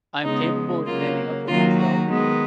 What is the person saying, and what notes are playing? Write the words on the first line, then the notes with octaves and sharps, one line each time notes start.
I'm capable of standing up for myself
C#3 G#3 B3 D#4
C#3 F#3 A#3 F4
D#3 F#3 A#3 F4
F#4
D#3 G#3 B3